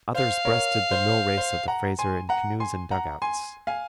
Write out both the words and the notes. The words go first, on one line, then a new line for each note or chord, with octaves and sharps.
Others breasted the mill-race of the Fraser in canoes and dugouts.
C5 F5
A#4 C#5
C5
C5
F#5 A#5
G#5 C6
F#5 A#5
G#5 C6
F#5 A#5
G#5 C6
F5 G#5